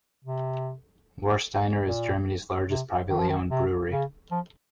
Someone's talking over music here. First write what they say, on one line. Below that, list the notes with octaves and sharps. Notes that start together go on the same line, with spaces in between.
Warsteiner is Germany's largest privately owned brewery.
C3
A#2
C3
D#3
F3
D#3
C3
C#3
F3